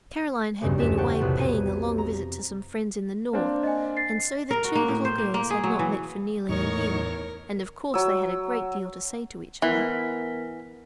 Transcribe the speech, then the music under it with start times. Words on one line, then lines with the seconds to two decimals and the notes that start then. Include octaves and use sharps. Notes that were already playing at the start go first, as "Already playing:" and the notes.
Caroline had been away paying a long visit to some friends in the North, and so the two little girls had not met for nearly a year, and of course they had a great deal to say to each other.
0.61 B1 E2 G2 C#3 G3 G#3
0.78 A#1 E2 B6 E7
0.97 C5 F#5 G5 A5 C#6
1.21 B1 F2 A2 C3 B4
1.40 G#6 D#7
1.98 A#5
3.33 A#3 C4 D4
3.63 D#5 G#5
3.97 A6 C7
4.51 A#4
4.64 F#4
4.75 A#3
4.88 A2
5.05 C5
5.18 A#3
5.34 A#3
5.50 G#4
5.63 F#3
5.79 E3
6.49 E2 A2 D#4 A#4 C#5 C#6
7.94 F#3 E6
9.62 E3 B3 A#4 B6